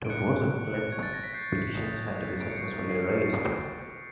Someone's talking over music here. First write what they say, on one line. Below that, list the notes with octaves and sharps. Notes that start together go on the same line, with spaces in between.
To force a ballot, petitions had to be successfully raised.
D7
F#6 C#7
F#6
F#6
F#6
C#6 G#6
A6
F#6 A#6
B6
G6 C7
G6
D#6
G6
G6
G6 D7
C#7
C#6 C7
C#6
C7
F6
C#6 C7